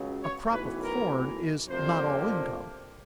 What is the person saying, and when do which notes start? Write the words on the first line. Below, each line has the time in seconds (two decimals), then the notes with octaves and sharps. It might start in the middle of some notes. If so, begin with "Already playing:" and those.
A crop of corn is not all income.
Already playing: C#2 C#3 F#3
0.22 C#5
0.51 B1 A2 E3 B4
0.80 A#4
1.67 F2 C3 F3 A#3 D4 C5